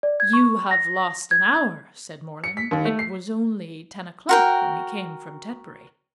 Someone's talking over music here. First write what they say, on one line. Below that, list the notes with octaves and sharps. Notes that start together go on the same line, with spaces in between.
"You have lost an hour," said Morland: "it was only ten o'clock when we came from Tetbury."
D5
G#6
C#6
A#6
G#6
C#7
B6
D#2
A3
C7
F#4 A#4 G5